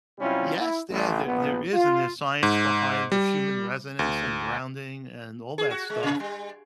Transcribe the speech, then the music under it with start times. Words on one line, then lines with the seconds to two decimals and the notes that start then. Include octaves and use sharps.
Yes, there there there is and there's science behind the human resonance, and grounding, and all that stuff,
0.19 C3 F#3 G3 C#4 E4 F4
0.60 E4
0.89 A1
1.25 A#1 B3
1.74 F4
2.43 G#2
3.12 G3
3.99 D2
5.58 G#4
5.70 F#4
5.90 G#3
6.03 C3
6.20 G3